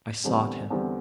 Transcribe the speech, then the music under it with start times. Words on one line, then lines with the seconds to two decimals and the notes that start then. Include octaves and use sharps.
I sought him.
0.24 E2 D3 G3 C4
0.70 E2 D3 G3 C4